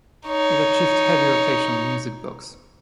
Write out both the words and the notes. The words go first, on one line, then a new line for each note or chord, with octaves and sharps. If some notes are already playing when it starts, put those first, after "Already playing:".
It achieved heavy rotation on "Music Box".
D#4 C#5